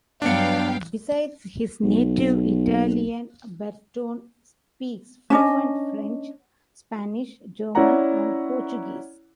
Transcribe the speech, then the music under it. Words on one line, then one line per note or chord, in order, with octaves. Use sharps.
Besides his native Italian, Bertone speaks fluent French, Spanish, German and Portuguese.
G2 F#3 B3 D4 F5 G5 C#7
B1
C#4 D4 D#5
C#4 E4 C#5 D5 F#5 A#5